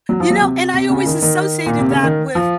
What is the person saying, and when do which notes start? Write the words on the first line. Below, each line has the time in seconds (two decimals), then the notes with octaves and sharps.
You know, and I always associated that with
0.09 F#3
0.20 F3
0.30 F#3
0.41 C3
0.74 C3
0.90 C#3
1.06 D#3
1.22 D#3
1.66 A#2
1.79 C3
1.91 C#3
2.03 D#3
2.35 F3